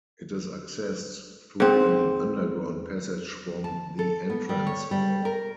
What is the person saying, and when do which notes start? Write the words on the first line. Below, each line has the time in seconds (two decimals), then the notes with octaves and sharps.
It is accessed through an underground passage from the entrance hall.
1.60 G#2 C4
3.64 A5
3.99 A4
4.30 B3
4.49 G3
4.67 C#5
4.91 G3
5.25 A#4